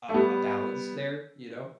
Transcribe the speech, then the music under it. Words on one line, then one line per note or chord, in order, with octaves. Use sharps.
a a balance there, you know.
A3
G3 B3